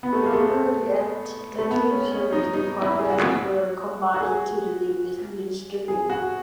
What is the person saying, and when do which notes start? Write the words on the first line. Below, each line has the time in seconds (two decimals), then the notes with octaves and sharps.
Under the Act the three Service departments were combined into the new Ministry.
0.03 B3
0.13 A3
0.23 G#3
0.33 A3
1.59 A3
1.71 B3
1.91 C#4
2.12 C#4
2.32 D#4
2.54 D#4
2.81 E4
2.99 G#4
3.10 F#4
4.14 F#4
4.20 G#4
5.88 G#4
6.10 F#4